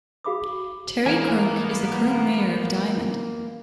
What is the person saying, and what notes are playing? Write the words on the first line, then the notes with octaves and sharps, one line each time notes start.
Terry Kernc is the current mayor of Diamond.
F#4 G#4 F5 B5 D6 D#6
G#2 E3 A#3 B3 A#4 G#5